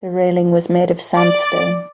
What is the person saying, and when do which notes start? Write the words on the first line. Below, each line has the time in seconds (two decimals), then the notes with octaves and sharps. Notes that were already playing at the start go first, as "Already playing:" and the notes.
The railing was made of sandstone.
1.14 D5